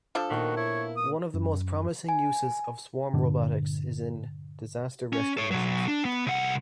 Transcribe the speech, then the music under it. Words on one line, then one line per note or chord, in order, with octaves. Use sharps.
One of the most promising uses of swarm robotics is in disaster rescue missions.
F3 D4 A4
A#2 D#3 A#3 B3 F#4
E4 C#5
D#6
F#2
G#5
G2 A#2 D3 D4
C#4
A4 C#5
B2 F#3
D4
B3
C2 F#5